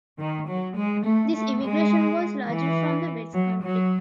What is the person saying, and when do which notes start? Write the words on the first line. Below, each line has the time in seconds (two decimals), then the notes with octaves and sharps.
This immigration was largely from the West Country.
0.18 D#3
0.47 F#3
0.76 G#3
1.04 A3
1.33 A3
1.61 G#3
2.47 E3
3.33 F#3
3.62 F#3